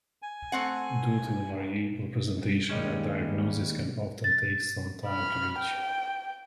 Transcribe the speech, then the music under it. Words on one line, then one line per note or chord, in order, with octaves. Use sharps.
Due to the variable presentation, a diagnosis can often take some time to reach.
G#5
A3 C4 F#5
D#2 G3 G#3 C#4
A6
B5 F6
G5